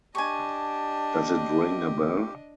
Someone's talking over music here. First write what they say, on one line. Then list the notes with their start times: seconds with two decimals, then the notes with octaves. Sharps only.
Does it ring a bell?
0.15 D4 G4 D#5 G#5 A5 C#6